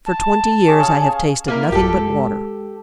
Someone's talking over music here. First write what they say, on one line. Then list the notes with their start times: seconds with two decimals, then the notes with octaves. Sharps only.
"For twenty years I have tasted nothing but water."
0.06 A5
0.67 C#4 G4 G#4
0.80 G#4 F5 C#6
1.48 A#3 E4 A#4
1.72 A1 F#2 F4 G4 A4
1.93 G#3